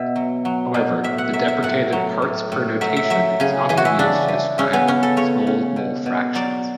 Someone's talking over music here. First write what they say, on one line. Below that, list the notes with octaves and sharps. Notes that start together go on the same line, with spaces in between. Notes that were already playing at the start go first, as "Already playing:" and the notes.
However, the deprecated parts-per notation is often used to describe small mole fractions.
Already playing: B2 E5
F#3
F#3
B2
A2 E5
F#5
F#3 E5
E5
A2 F#5
F#3
A2
A2
F#3 E5
E5
F#3 E5
C#3 G#4
E3 G#4
F#4
E4
C#3 D4
E3
C#3 C#4
B3
C#3 C#4
A4
C#3 C#5
C#3
B2
B2
F#3 D5